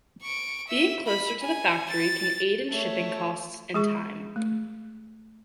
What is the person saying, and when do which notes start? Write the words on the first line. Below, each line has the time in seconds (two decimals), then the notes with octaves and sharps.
Being closer to the factory can aid in shipping costs and time.
0.23 C#6 D7
0.68 E5
1.07 B5
1.42 G#5
1.90 A6
2.71 A3 C#5
3.74 G#3 G#4 C#6
4.36 A3